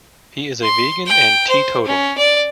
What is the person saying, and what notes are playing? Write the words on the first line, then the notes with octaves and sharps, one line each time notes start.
He is a vegan and teetotal.
C6
G5
C5
C#4
D5